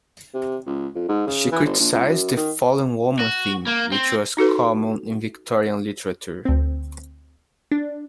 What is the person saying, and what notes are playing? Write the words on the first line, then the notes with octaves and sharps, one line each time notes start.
She criticized the "fallen woman" theme, which was common in Victorian literature.
C3
C#2
F2
G#2
C#3
E3
G1
A#1
C#2
F#2
D#3
F#4
A#3
C4
D#4 F#4 A4 B4
D2 C4
D4